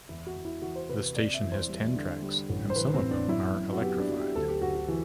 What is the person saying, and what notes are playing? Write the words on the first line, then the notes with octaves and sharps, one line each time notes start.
The station has ten tracks and some of them are electrified.
E2 E4
F#4
E2
E4
E3 F#4
C5
C3 B4
C4 D5
E5
E2
C5
G3
D3
G3
A1
C5
E3 B4
C4
A2
D4
F#2 E4
F#2
F#4
B3 G4
D4
F#3
G4
D2 A4
G4
D2 F#4
F#4
E3 F#4